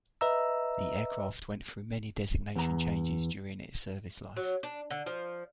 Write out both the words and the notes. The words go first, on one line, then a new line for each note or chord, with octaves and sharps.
The aircraft went through many designation changes during its service life.
B4 D#5 E5 A#5 E6
E2 A#5
F#3
D4
D3
F3